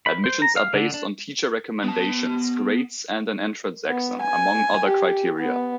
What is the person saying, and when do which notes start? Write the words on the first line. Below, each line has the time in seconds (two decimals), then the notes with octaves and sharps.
Admissions are based on teacher recommendations, grades and an entrance exam, among other criteria.
0.06 B5
0.24 C5
0.42 A#5
0.56 F5
0.74 D3
0.94 D4
1.84 B3 A5
3.87 B3
4.22 G#5
4.87 G4
5.38 B3